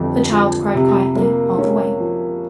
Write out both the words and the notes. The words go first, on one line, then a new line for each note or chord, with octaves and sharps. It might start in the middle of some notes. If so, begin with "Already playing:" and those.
The child cried quietly all the way.
Already playing: G1 F2 F3
F3
C3
A#3
C#4
F3